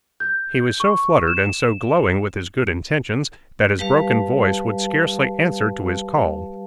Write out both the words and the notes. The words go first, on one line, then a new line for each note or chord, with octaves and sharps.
He was so fluttered and so glowing with his good intentions, that his broken voice would scarcely answer to his call.
G6
C#6
E7
G3 G4 B4 F5 A5